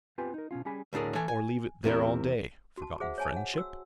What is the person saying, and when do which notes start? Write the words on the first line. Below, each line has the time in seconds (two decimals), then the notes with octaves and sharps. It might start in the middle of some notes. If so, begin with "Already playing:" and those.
Or leave it there all day, forgotten friendship?
0.18 B3 C4 F4 G4 B4 G#5
0.34 D#4 A#4
0.51 B2 B3 C#4 F4
0.65 G3 C#4 G4 G#4 G#5 B5
0.93 D2 A2 D4 G#4 A#4
1.15 E3 A4 G#5
1.28 G#5
1.84 E2 C3 E4 A#4
2.78 F#4 A5
3.00 G#4 C5 E5 F#5
3.18 C#5 G#5 A5
3.37 F#5
3.54 F#4 E6